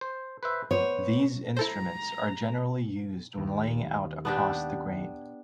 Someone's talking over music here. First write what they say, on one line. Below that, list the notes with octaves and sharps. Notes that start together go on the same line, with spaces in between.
These instruments are generally used when laying out across the grain.
C5
B4 C5 E5
B3 C5 C#5
E4 A4 C5 A#5
D#2
B3 D4 G4